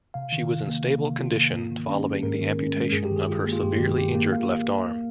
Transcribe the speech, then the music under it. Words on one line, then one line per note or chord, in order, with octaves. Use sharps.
She was in stable condition following the amputation of her severely injured left arm.
C3 F5
D#3
F4
A#3
C3
D#3
F4
A#3
G#2
D#3
C#4
G#3
G#4
G#2 A#4
D#3
C#4
G#3
G2 G#4
G4
D#3
G#4
F4
A#3
F4
G2 G4
D#3 G4
F4 G4
A#3 G4
F5